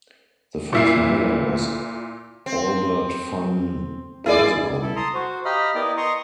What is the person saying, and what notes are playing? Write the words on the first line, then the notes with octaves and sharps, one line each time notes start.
The first mayor was Albert Van Beusekom.
A#2 E4 C7
C4
E4 G#4 D5
E4 A4
A5 A#5 C6 D#6
F#4 C5
G4 D#5 F5 A#5 B5 F6
B3 E4 A#4 D5 D#5 G5
D#5 A#5 C6 C#6 D#6